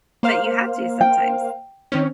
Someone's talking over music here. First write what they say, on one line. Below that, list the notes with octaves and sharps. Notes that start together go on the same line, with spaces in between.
but you have to sometimes.
A#3 C5 F5
G5
D#3 C4 C#4